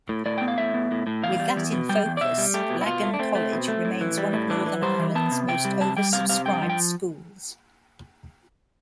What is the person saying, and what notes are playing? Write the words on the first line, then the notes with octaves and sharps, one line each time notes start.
With that in focus, Lagan College remains one of Northern Ireland's most oversubscribed schools.
A2
A2 D5
B3 G5
F5
A2 E5
B3
A2
A2
E2 F5
G3
E2
B2
G3 G5
E2
D5
B2 E5
G3
A3 G4
B2
E4
B2 F4
A3
D4
A3 C4
A3
B2
A3
A2
E3
G3
A2
E3 D4
E3
G3 C5
E3
B3 A5
C3
C3 G5
G3
C3 A5
G3 G5
C3 F5
C3 F5
G2 G5
F3
G5